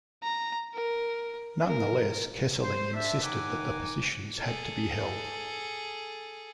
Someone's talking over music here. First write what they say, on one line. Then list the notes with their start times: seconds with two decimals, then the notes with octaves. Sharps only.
Nonetheless, Kesselring insisted that the positions had to be held.
0.23 A#5
0.74 A#4
1.67 A#4
2.62 C5
2.93 D4 E5
3.23 D#2 D#3 D#4 F#5 G#5 D6
4.43 G#4 A4